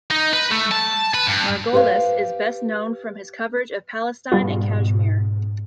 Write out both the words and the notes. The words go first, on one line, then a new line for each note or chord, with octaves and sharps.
Margolis is best known from his coverage of Palestine and Kashmir.
D#4
B4
A3
A5
B4
G2
G4 B4 C5 E5 F5
G#2 B2 G3 B3 F4